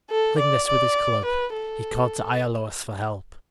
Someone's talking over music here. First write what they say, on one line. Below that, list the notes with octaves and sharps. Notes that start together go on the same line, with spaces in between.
Killing this with his club, he called to Iolaus for help.
A4
D5
D5
B4
A4